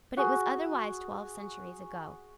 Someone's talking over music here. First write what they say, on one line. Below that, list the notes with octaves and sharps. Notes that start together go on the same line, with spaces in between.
But it was otherwise twelve centuries ago.
F#4 G#4